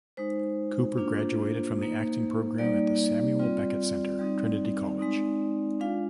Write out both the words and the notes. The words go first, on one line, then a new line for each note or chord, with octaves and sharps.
Cooper graduated from the acting program at the Samuel Beckett Centre, Trinity College.
G#3 D#4 C5
A#3 D4 F4
A#3 D#4
G3 A#3 D#4 D5
G3 C4 F4
G3 C4 D#4
G#3 C4 D#4
G#3 D4 F4 F5